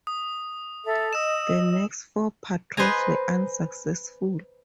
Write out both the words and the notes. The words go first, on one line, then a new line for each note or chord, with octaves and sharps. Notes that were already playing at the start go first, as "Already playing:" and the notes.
The next four patrols were unsuccessful.
D#6
A4 E5
D#5 E6 E7
B4 C5 D#5 G#5 A#5